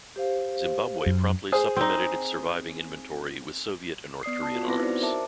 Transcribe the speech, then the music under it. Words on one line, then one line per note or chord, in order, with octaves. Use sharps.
Zimbabwe promptly supplemented its surviving inventory with Soviet and North Korean arms.
G4 C5 F5
F#2
G#4 C5
C4 D#4
B3 D5 D#6 C7
A5
F4 F#4
B3 C4 E4 B4 D6 A#6
D#4 F#4 C5 D5
A#4 C5 E5 A5 D6